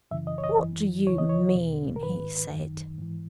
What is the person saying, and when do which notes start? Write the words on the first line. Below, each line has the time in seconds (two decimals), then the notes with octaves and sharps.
'What do you mean?' he said.
0.11 F#2 C#3 E3 E5
0.27 D#5
0.38 C#5
0.44 D#5
0.59 F#2 E3
1.07 E2 C#3 E3 C#5
1.18 D#5
1.29 C#5
1.55 E2 B2
1.96 A#4
2.03 G#2 D#3 B4
2.51 F#2 D#3
2.98 G#2 E3